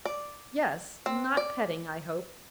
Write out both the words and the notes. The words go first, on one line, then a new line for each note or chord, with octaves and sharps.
Yes; not petting, I hope.
D5
C4
D5